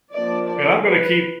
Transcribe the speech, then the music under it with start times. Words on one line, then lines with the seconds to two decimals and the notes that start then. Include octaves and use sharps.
And I'm gonna keep
0.15 F3 A#3 D4 D5
0.49 D5
0.85 B4